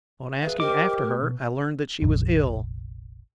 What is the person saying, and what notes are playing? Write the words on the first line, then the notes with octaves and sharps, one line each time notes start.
On asking after her I learned that she was ill.
G#4 B4 E5 F5
G4 A#4 C5 D#5 D6
A3
B2
F1 A#1